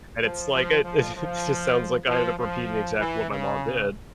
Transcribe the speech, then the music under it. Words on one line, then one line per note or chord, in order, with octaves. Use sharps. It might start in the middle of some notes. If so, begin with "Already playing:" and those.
And it's like it it just sounds like I ended up repeating exactly what my mom did.
F3
F3
F3
F3
F3
F3
E3
C#3